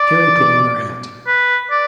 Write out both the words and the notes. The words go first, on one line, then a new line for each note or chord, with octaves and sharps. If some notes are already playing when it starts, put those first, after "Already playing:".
Carrie put on her hat.
Already playing: D5
B4
D5